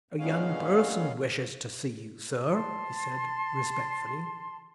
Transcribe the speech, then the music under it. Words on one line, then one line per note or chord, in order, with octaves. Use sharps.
"A young person wishes to see you, sir," he said, respectfully.
G2 A#2 G#3 B3 C#4 F5
A5 C6